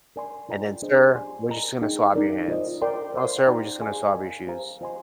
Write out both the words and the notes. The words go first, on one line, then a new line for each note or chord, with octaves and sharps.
And then, "Sir, we're just gonna swab your hands. Oh, sir, we're just gonna swab your shoes.
A#4 D5 G#5 C6
F4 A#4 D5 G5 A#5
D4 G#4 C5 D#5
G4 D5 G#5 C6
A#4 D#5 A#5
D#4 G#4 D#5 G5
D#4 A#4 D5
F4 C5 D#5
A#4 D5 G5 C6
C5 F5 C6
D#4 G4 D5 G5 A#5
G#4 D5 F5 G#5 C6
A#4 D#5 G#5
G4 C5 F5 A#5
F4 C5 D#5 G#5 C6